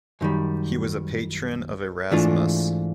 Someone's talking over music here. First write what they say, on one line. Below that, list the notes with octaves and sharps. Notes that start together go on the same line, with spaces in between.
He was a patron of Erasmus.
F#2 D#3 G3
G#2 E3 A3 D4 F4